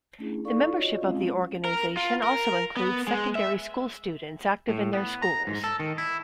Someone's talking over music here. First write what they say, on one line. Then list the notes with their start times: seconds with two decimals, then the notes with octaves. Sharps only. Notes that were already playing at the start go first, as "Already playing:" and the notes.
The membership of the organisation also includes secondary school students, active in their schools.
0.19 A3 C#4 D4 E4 G#4
0.45 D#4 A4 D5 F5 C#6
0.74 F4 F#4 C#5 D#5
1.00 G#3 C4 C#4 F4 F5
1.65 A#4
1.97 F4
2.23 A#4
2.77 B3
3.08 G#3
3.35 E5
4.69 A2
4.93 B3
5.22 A#5
5.47 G#2
5.64 A4
5.80 D#3
5.98 E4